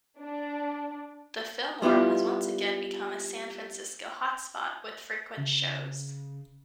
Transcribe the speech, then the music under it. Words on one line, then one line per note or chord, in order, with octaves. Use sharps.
The Fillmore has once again become a San Francisco hot spot with frequent shows.
D4
G3 B3 E4 F4
C#3